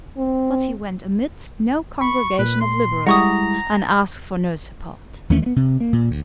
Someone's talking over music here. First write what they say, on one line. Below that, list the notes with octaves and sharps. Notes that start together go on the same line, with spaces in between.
But he went amidst no congregation of Liberals, and asked for no support.
C4
B5 C#6
A#2 B4
C6
G3 G#3 E4 F#5 A#5 C#6 D#6
D#2 E3 A3 C#4
G#3 B3
C3
A#3
A#2
D2